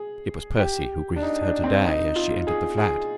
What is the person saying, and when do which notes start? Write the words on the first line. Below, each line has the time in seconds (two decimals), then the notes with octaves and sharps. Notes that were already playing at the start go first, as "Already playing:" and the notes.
It was Percy who greeted her to-day as she entered the flat.
Already playing: G#4
0.59 G4
1.16 D4
1.22 D#4
1.43 D4
1.64 C4
1.85 D#4
2.16 F4
2.47 G#4
2.78 G#4